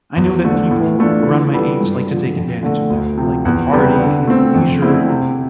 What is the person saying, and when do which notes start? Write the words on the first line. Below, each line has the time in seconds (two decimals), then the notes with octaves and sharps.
I know that people around my age like to take advantage of that, like the partying and the leisure,
0.16 E2
0.44 D3 A3
0.71 A2
0.99 E3 A3 D4 F4
1.26 E3
1.53 G3 B3 F4 A4
1.81 G2
2.08 D3 F3
2.36 F2
2.63 D3 A3
2.90 D2
3.17 C3 F3
3.45 E2
3.73 C3 G3 B3
4.00 D3
4.27 A3 C4
4.54 F2
4.82 D3 A3 C4 E4
5.09 C3